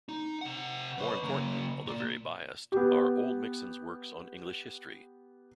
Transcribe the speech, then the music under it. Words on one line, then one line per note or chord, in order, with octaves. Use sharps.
More important, although very biased, are Oldmixon's works on English history.
D#4
C3 F#5
B4 C#5
C#3 A#3
A#2 A#3
B3 G4